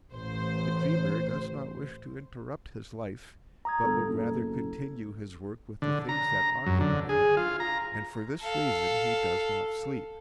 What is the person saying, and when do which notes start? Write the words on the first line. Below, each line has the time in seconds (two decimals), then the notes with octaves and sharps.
The dreamer does not wish to interrupt his life, but would rather continue his work with the things that occupy him, and for this reason he does not sleep.
0.12 A1 C5
3.65 A#5 D#6 G#6
3.84 G1 A4
4.09 F#1
5.82 D3
6.09 A#5
6.66 F#2
6.80 D3
7.09 G#4
7.37 F4
7.60 A#5
8.42 A4 F5